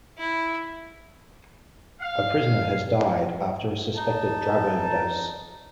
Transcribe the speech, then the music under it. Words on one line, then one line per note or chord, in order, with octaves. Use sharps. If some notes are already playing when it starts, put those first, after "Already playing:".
A prisoner has died after a suspected drug overdose.
E4
F5
D#4 A5